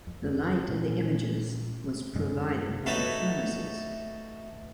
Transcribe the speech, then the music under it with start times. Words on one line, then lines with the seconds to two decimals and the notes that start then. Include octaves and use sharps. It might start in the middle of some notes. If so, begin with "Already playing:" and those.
The light in the images was provided by the furnaces.
0.07 F2
0.68 A#2 G#3 C#4
2.15 F#2 C3 G#3 C#4
2.86 A3 D#4 F#4 A4 B4 C#5